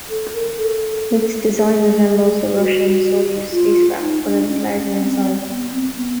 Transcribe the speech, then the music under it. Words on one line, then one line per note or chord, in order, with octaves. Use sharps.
Its design resembles the Russian Soyuz spacecraft, but it is larger in size.
A4
A#4
A4
G#4
F#4
F4
D#4
D4
C#4
C4
B3
C4
B3